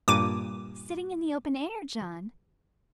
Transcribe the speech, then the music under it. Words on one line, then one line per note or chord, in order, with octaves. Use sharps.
"Sitting in the open air, John?"
G2 A#2 D6 D#7